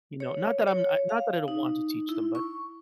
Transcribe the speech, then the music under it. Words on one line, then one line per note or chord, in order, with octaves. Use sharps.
You know, not that I'm I not that I don't want to teach them, but
C#5
C#5
F5
D#4
E4
C#6